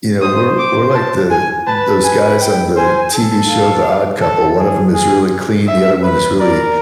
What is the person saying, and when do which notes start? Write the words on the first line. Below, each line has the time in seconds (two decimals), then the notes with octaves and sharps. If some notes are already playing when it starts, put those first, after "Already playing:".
you know, "We're we're like the those guys on the TV show, The Odd Couple; one of them is really clean, the other one is really
0.22 C5 D#6
0.58 D6
0.95 A5
1.31 G#5
1.67 B4 A5
2.04 G#5
2.41 G5
2.77 C5 G#5
3.13 A4
3.49 F5
4.22 A4
4.59 G#4
4.94 G#4
5.67 E5
6.04 B4
6.40 A#4 D5